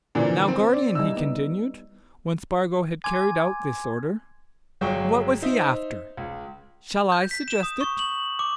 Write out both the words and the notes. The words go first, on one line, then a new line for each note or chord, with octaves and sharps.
Now, guardian," he continued, when Spargo had carried out this order, "what was he after? Shall I suggest it?
A#2 D3 E3 F#4 A#4 C5
C4
D5
G3 D#4 E4 E6
B3
G#5 C6 D6 G#6
G1 F#3 G#3 G#4 G5 C#6
D#4 C5 E5
C#2
G6
B6
E7
D#6
C#6
F#7
D6